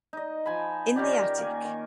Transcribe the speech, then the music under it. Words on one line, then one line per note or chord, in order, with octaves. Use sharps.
In the attic.
D#4 D#5
F3 G#5 A5 B5
D#3 C#4 G4 D5
A#4
A#3 G#5
D#3